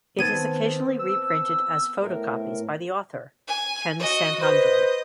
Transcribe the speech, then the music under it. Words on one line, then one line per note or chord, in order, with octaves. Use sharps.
It is occasionally reprinted as photocopies by the author, Ken Saint Andre.
D#3 B3 C4 A5 G#6 D#7
E6
A2 A#4
G#5
F#4 D#5
B4 C5 D#5